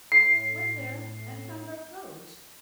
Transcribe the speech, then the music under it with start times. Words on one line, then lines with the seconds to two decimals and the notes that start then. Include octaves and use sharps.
Went there and found our clothes.
0.12 A2 C7